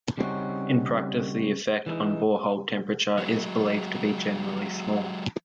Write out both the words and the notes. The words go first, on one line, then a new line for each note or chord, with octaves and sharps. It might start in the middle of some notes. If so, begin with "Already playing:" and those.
In practice the effect on borehole temperature is believed to be generally small.
C#3 G3 C4 C#4 D#4 F#4
E3 G#3 D#4
F#3 G#3